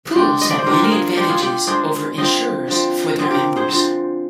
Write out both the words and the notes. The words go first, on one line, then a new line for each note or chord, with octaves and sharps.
Pools have many advantages over insurers for their members.
D3 G#3 D4 G4
D#5
D5
C5
D3 G#3 D4 G4 A#4
A#4
F4 G#4
D3 G#3 D4 G4
F4 G#4
G4
D3 G#3 D4 G#4 C5
D3 F3 C4 C5 D#5
D3 F3 C4
D3 F3 C4 G#4
G4 A#4
G#4 C5
D3 F3 C4